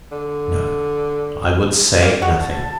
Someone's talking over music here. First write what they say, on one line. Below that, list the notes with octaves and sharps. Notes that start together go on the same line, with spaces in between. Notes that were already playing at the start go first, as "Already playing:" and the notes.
No, I would say nothing.
D3
A#3 D5 F5
F#4 G#4
A5